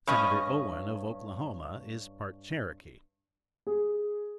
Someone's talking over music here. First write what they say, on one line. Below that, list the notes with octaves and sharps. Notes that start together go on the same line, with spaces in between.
Senator Owen of Oklahoma is part Cherokee.
G2 C#4 D#5
G#4